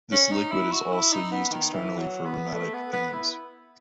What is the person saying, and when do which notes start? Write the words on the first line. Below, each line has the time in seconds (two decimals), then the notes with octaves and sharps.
This liquid is also used externally for rheumatic pains.
0.12 C#4
0.31 D#4
0.52 E4
0.72 F#4
0.92 E4
1.12 D#4
1.32 B3
1.52 D#3
1.72 E3
1.98 F#3
2.25 B3
2.53 A3
2.73 B3
2.93 B3
3.13 E4